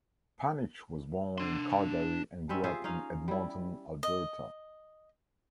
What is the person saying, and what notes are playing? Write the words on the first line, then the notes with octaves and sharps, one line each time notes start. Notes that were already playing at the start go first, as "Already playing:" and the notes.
Panych was born in Calgary and grew up in Edmonton, Alberta.
D4 C6
G3 C4 C#4 E5
F4 G#4 C5 E5
C#4 D#4 F5
G3 E4
D#5